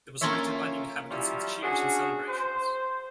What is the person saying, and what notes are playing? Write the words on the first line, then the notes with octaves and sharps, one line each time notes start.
It was greeted by the inhabitants with cheers and celebrations.
A#3 C#4 F4 A4 C#5 E5
E3 F#3 G3 C#4 E4 F4
C#4 D4 F#4 G#4
C5